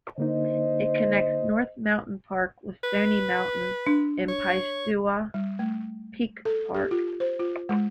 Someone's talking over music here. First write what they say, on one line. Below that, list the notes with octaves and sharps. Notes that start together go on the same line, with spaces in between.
It connects North Mountain Park with Stony Mountain and Piestewa Peak Park.
D3 A#3 D#4 C5 D#5
B4
D4
C#5
G3
A3
A4
G4
F4
C5
F4
G#3